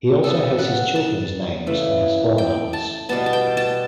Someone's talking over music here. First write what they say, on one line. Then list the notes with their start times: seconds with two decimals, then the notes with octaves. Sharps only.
He also has his children's names on his forearms.
0.24 C#3 G3 B3 A4
0.59 F#5
0.96 A5
1.66 C#3 E3 A3
2.38 G5
2.73 A5
3.09 B2 G3 B3 A5
3.26 A5
3.33 G5
3.57 A5